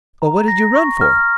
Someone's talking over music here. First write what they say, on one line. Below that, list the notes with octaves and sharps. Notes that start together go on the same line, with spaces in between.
"Well what did you run for?"
A#5
A#6
C#6
F6